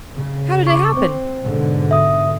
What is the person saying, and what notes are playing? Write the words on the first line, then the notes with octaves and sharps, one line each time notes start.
"How did it happen?"
C#3
C#6 D6
C4 C5
G#2 B2 D3
E5 D#6